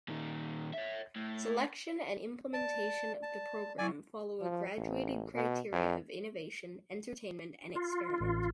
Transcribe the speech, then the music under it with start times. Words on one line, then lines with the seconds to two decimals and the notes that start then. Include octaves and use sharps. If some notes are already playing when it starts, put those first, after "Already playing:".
Selection and implementation of the program follow a graduated criteria of innovation, entertainment and experiment.
0.08 A#2 D#3
0.73 C#5 E5
1.16 A2
2.53 D5 A5
3.23 A5
3.78 F#3 E4 D5 G#5 C#6
4.41 F3
4.78 A1
5.35 B2
5.72 F2
7.75 F4
8.21 A1